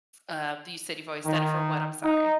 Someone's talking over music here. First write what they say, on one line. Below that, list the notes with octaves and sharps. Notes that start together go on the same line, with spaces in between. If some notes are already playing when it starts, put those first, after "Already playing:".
Uh, do you said you've always done it for what? I'm sorry.
D#3
D#4